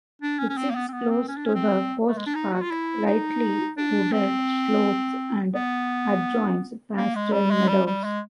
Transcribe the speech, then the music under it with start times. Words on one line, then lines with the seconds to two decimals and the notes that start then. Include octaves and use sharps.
It sits close to the coast path, lightly wooded slopes and adjoins pasture meadows.
0.22 D4
0.39 C#4
0.50 C#4
0.57 C4
0.70 A#3
0.75 B3
0.88 C4
0.93 B3
1.10 C4
1.28 C#4
1.37 D4
1.46 C#4
1.55 C4
2.08 A3
2.17 G#3
2.26 D4
2.35 D#4
2.54 F#4
2.62 F4
2.71 E4
3.06 D#4
3.77 D4
4.13 C4
5.55 B3
6.97 A#3
7.15 G#3
7.33 G3
7.51 G#3
7.68 G3
7.86 G3
8.04 G#3